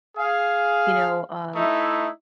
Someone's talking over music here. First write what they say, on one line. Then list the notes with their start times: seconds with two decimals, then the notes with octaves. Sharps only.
you know, um,
0.17 G#4 F5
1.55 A3 D#4 E4